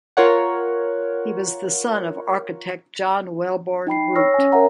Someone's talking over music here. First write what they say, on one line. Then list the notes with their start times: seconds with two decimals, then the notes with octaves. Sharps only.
He was the son of architect John Wellborn Root.
0.17 F4 A#4 C#5 F#5
3.87 D#4 G5 B5 C7
4.15 C#5 C#6 E6 F6 A#6
4.34 C#4 G#5
4.52 A#4 C#5 E5 F#5 A#5